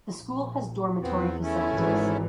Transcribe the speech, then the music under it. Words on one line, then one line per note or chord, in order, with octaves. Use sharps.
The school has dormitory facilities.
A#1
E2 B3 C4
A3 C#4 E4
G#1 G#2 E3